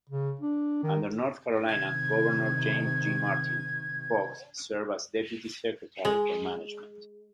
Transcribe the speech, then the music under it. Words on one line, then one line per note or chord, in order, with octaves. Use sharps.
Under North Carolina Governor James G. Martin, Foxx served as Deputy Secretary for Management.
C#3
D4
D#3
C3 D#3 G#6
G#3